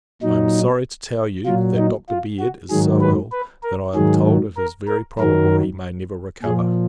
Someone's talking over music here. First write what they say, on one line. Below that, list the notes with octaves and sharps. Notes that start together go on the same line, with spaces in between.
I am sorry to tell you, that Dr. Baird is so ill, that I am told it is very probable he may never recover.
A#2 F#3 D#4
A#2 F#3 F4
D#4
F4
F#4
G#2 D#3 F#3 G#4
B4
B4
A#4
G#2 D#3 F#3 G#4
A#4
A#4
F#2 D#3 F#3 A#4
A#2 F3 G#4